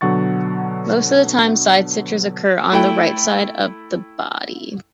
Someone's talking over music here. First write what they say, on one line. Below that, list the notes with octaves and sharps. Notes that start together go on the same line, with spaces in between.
Most of the time, side stitches occur on the right side of the body.
B2 D3 F#3 F#5 C#6 A6
A3 E4 G5